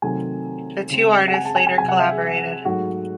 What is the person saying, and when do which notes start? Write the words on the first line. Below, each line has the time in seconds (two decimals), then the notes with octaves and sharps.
The two artists later collaborated.
0.02 C3 D#3 F#3 A3 C4 G#5
0.90 C#3 G#3 C4
1.28 F#5
1.34 G#5
1.45 A5
1.56 G#5
1.67 G#5
1.78 C3 F#3 C4 G#5
1.89 F#5
1.99 E5
2.11 G#4
2.65 G#2 F#3 A3 F#4